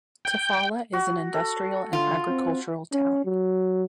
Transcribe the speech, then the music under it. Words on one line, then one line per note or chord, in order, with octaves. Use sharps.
Tafalla is an industrial and agricultural town.
G5
F#4
A4
D3 F4
C4
C#4
F#3